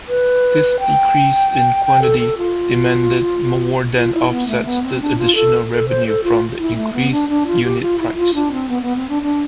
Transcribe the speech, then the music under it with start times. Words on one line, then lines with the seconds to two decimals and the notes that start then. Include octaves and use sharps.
This decrease in quantity-demanded more than offsets the additional revenue from the increased unit-price.
0.08 B4
0.80 G5
1.85 G5
2.02 A4
2.20 A4
2.38 F4
3.95 F4
4.13 E4
4.31 B3
4.48 A3
4.65 B3
4.83 C4
5.01 D4
5.18 F4
5.35 A4
5.71 A4
5.89 C5
6.07 A4
6.24 F4
6.59 E4
6.76 A3
6.93 B3
7.12 D4
7.29 D4
7.47 F4
7.64 G4
7.81 F4
7.99 E4
8.16 F4
8.34 D4
8.52 C4
8.69 B3
8.82 B3
8.96 C4
9.09 D4
9.22 D4